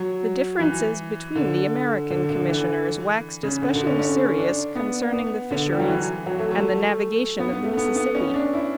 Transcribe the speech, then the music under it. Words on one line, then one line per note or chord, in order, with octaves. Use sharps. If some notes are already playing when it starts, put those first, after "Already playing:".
The differences between the American Commissioners waxed especially serious concerning the fisheries and the navigation of the Mississippi.
Already playing: F#3
E3
D3
D3
D3
E3
C#3
D3
D3
C#4
C#4
D4
B3
B3
D3
G3
F#3
E3
F#3
A3
A3
B3
B3
A3
B3
B3
C#4
D4
E4